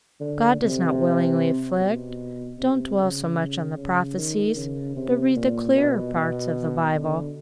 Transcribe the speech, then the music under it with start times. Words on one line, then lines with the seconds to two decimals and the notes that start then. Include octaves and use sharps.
'God does not willingly afflict. Don't dwell so much on the prophecies, but read the clearer parts of the Bible.'
0.20 D3
0.61 C3
1.79 B2
2.59 C3
2.99 C#3
3.77 C#3
4.16 D#3
4.56 C#3
4.96 C3
5.36 A#2
5.75 B2
6.15 B2
6.94 D3